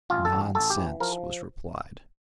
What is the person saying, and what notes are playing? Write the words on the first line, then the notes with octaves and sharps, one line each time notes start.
"Nonsense," was replied.
A1 F4
A4
A1
A1 A4
G4
E3
F3 A#4